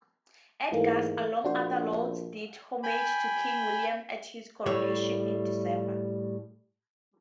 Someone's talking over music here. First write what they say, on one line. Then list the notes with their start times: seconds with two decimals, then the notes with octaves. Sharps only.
Edgar, alongside other lords, did homage to King William at his coronation in December.
0.72 G#2 E3 A3 A#3
1.45 A#1 D4 F#4 C5
2.83 G5 G#5 B5
4.66 A2 G3 C#5